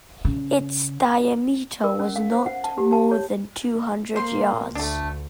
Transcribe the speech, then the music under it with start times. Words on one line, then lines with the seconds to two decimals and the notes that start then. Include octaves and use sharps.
Its diameter was not more than two hundred yards.
0.25 C#3
1.84 A#4
2.00 C#4
2.16 F5
2.32 C5
2.46 F#5
2.64 A5
2.78 G4
2.92 A5
3.11 C#5
4.16 A#3 C5 C6
4.75 D2 A3 D4